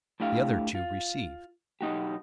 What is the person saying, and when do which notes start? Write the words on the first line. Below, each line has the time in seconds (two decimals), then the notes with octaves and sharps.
The other two receive.
0.20 A2 D4 E4 G4 F5
0.75 F4
1.81 B1 D#4 F#4 G4